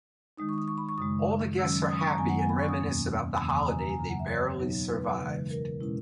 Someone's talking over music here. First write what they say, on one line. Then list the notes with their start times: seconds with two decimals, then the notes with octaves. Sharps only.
All the guests are happy and reminisce about the holiday they barely survived.
0.37 D#3 G#3 D#4 D#6
0.49 C#6
0.58 D#6
0.68 C#6
0.78 B5
0.89 C#6
0.98 F#2 C#3 G#3 D#6
1.58 D#3 F#3 C#4 E6
1.89 D#6
1.99 C#6
2.09 A#5
2.18 F#2 D#3 F#3 B3 G#5
2.29 F#5
2.39 G#5
2.49 B5
2.59 C#6
2.69 D#6
2.79 E2 B2 A#3 C#4
3.39 E2 C#3 E3 A#3 C#4 E6
3.49 D#6
3.59 A#5
3.69 G#5
3.79 A#5
3.89 G#5
3.99 F#2 C#3 F#3 A#5
4.10 F#5
4.19 E5
4.29 C#5
4.59 B2 F#3 B3 D#4
4.90 B4
5.20 C#3 E3 G#3
5.50 A#4
5.81 B2 G#3 C#4 E4